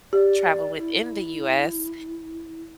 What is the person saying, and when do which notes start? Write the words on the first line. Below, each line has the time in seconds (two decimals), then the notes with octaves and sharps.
traveled within the US,
0.13 G4 D5
0.78 E4